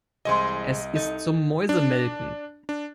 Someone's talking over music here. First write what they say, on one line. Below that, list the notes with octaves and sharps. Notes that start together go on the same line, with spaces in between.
Es ist zum Mäusemelken.
C2 E3 G#3 C5 D#5
D#4 A4
D4
D4